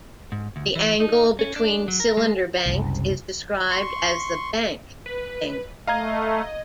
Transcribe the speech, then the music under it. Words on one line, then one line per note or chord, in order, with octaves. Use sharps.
The angle between cylinder banks is described as the "bank angle".
G#2
D2
E3
D#4
C#4
D4
F#3
A#4
G#3
F#1 C2
C6 C#6
B4
A3 D#5 F5 A#5 G#6